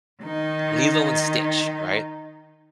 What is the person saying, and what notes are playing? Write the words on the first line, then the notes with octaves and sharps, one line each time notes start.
Lilo and Stitch, right?
D#3 D#4